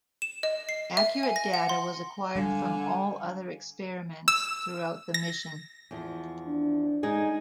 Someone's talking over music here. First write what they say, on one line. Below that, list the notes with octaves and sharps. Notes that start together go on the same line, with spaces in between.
Accurate data was acquired from all other experiments throughout the mission.
E7
D#5
C7
E5
G#5
A#6
F#5
C6
D3 G3 F5 G#5
E6
A#6
E2 F3
D4
G#3 D#4 G#4